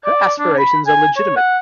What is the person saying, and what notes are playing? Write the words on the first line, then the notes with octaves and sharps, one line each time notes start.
Her aspirations are legitimate.
D5
D4
B5
G#5
C#5
F#5